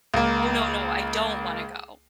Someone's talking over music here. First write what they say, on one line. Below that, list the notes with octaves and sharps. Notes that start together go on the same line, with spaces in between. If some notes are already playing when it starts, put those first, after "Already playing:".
"Oh, no, no, I don't wanna go,"
C#2 A#3